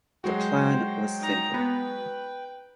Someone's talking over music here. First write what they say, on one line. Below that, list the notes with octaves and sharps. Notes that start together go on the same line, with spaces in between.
The plan was simple.
F#3 G#3 F#4 C5 G5
D#4 A#5
B3 B4